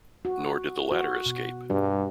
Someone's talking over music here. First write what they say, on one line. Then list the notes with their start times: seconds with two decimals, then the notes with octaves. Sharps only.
Nor did the latter escape.
0.25 F#4
0.92 F#4
1.26 B2
1.70 G2 G3